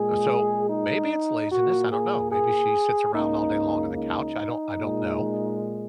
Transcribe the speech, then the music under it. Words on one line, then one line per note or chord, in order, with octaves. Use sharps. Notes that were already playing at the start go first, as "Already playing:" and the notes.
so maybe it's laziness, I don't know. Maybe she sits around all day long on the couch, I don't I don't know,
Already playing: A#2 G#3 G#4
D#4
A#2 A#3 F#4
G#4
G#4
C#2 C#3 A#3 D#4
D#4
A#2 G#3